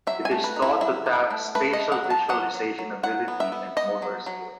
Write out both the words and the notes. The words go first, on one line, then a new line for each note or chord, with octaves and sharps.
It is thought to tap spatial visualization ability and motor skill.
F#3 E5
G#5
A3
B4
D#4
E4
F#3 E4
D#4
A3
A3 B4
D#5
A3
F#5
F#3
A5
F#3 F#5
F#3
F#3
F#3 F#5
B3
E5
B3
B3 D#5
F#3
F#3